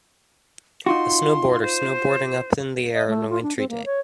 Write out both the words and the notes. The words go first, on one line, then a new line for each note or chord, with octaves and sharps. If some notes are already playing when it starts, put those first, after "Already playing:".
A snowboarder snowboarding up in the air on a wintry day.
D#4 F4 F#4 C6
C5
D#5
A3
F4
D4
C4
A#3
C#5